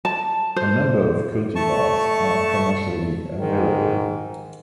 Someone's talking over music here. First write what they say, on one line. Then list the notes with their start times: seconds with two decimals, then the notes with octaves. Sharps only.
A number of cultivars are commercially available.
0.05 A5
0.56 C5
1.56 A3 A5 C#6
3.38 G#2 D#3